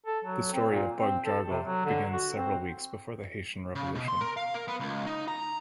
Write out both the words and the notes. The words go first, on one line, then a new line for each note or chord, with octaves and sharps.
The story of Bug-Jargal begins several weeks before the Haitian Revolution.
A4
F#3
C4
A#2
C4
A4
C3
F#3
D3
F#4
C4
C#3
B2
C6
A#4
F5
A#4
B3
C#2
D#4
A#5